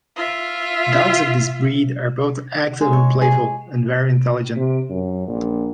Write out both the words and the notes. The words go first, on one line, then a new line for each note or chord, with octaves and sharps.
Dogs of this breed are both active and playful, and very intelligent.
F4 E5
G#3
C#5
G#4
C3
F#2
A#1